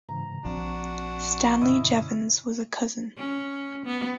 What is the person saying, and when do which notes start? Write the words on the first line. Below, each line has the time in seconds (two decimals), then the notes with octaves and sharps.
Stanley Jevons was a cousin.
0.09 G#2 C#3 E3 A#5
0.45 A#1 F3 C4 D4 F#4
1.61 G2 B2 D3 C#4 E4 D#5
3.18 C#4
3.86 B3